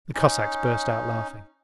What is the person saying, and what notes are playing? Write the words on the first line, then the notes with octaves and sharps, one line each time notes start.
The Cossacks burst out laughing.
C#4 D#4